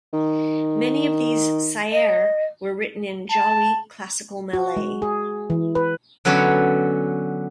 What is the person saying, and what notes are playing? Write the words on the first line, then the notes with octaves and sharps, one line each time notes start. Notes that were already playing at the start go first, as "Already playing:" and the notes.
Many of these "syair" were written in Jawi classical Malay.
D#3
D#5
A5
F#4
G#3
G#4
E3
B4
D3 F#3 B3 C#4 C#5 D5